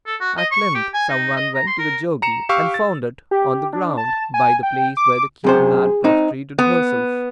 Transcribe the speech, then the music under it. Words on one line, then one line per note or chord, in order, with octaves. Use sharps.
At length some one went to the jogi, and found it on the ground by the place where the queen had prostrated herself.
A4
F#4
D#5
C#6
G4
G#5
D#4
D#5
A#5
C6
A#4
A#5 C#7 E7
G4 F5 C#6 E6
A6
G4
D4
A5
G#5
G5
D6
F#2 C3 G#4 C5
C4 D#4
B3